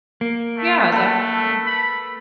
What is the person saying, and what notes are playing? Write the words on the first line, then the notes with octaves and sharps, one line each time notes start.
Yeah, definitely.
A#3
A3
A3 A4 B4
B5